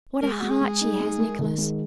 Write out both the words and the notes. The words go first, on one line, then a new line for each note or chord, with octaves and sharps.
What a heart she has, Nicholas!
G#3 A#4
G#4
G#3 F#4
G#4
G#3
D#4
G#3
A#4
D#3
G#3